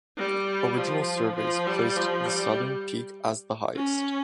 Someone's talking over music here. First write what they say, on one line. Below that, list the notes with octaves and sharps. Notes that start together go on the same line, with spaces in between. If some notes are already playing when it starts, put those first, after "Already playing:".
Original surveys placed the southern peak as the highest.
G3
F3
F3
G3
F3
G3
C#4